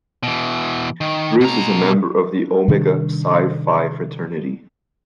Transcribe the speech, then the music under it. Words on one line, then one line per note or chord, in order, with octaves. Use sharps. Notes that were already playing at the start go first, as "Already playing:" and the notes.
Bruce is a member of the Omega Psi Phi fraternity.
B2 E3
D#3
B2 A#5
C3 D#3 G3 D4